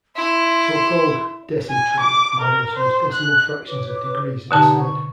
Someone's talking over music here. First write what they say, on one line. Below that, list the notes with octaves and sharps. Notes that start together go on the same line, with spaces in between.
So-called "decitrig" models use decimal fractions of degrees instead.
E4 C6
G#5
D6
A#4
C5
F#6
B4 C#5 D6
B2 D3 D#4 G4 F#5 A5
C#6